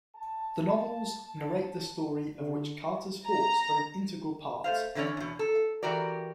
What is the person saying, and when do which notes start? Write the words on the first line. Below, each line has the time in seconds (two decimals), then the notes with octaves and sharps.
The novels narrate the story of which Carter's thoughts are an integral part.
0.16 A5
2.37 D3
3.26 A#5
4.64 A3 C5 F5
4.95 D3 E3 F#3 C#4 C#5 D5
5.17 E2 B2
5.39 A4
5.83 E3 F#4 G4 A#4 D5